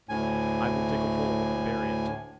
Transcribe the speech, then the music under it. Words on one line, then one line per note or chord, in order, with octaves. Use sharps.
I will dig a hole and bury it.
D2 A2 G#5